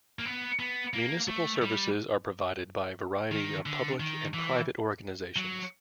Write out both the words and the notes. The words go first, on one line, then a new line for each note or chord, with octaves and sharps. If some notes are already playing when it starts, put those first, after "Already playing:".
Municipal services are provided by a variety of public and private organizations.
A#3
B3
B3
A#3
A3
G3
D#3
D3
D#3
E3
F#3